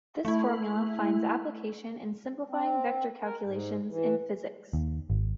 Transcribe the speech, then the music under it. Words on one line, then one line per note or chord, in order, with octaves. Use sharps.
This formula finds application in simplifying vector calculations in physics.
A3 E4
C4
A#4
G#2
E3
D#2
G#1